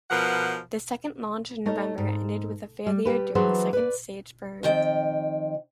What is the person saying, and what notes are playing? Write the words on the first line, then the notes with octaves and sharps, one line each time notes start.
The second launch in November ended with a failure during second stage burn.
B2 F3 A#4 B4 F#5
A3 D#4 C#5
G#2
G3
G3 G4 B4
E3 F#3 D4 G#4 B4 C5
B4 D5
F2 D#3 G5